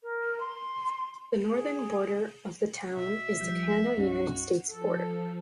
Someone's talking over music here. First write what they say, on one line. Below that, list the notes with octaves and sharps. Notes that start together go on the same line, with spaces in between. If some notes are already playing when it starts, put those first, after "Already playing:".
The northern border of the town is the Canada-United States border.
A#4
C6
G#4
B2 E5
A#1 F3 G3 G6
C2 G2 C#4 D#4 F#4
F3 A4